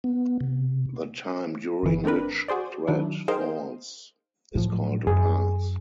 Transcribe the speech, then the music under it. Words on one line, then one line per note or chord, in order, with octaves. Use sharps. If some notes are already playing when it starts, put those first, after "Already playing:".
The time during which Thread falls is called a Pass.
B3
C3
G1 E3
A3 C4 D4 A#4 B4
F#4 G#4 C5 D5
D#3 F#3 D4 E4
D#4 G#4 A#4 C5 F5 G5
A2 F3 F#3
F#2 G#4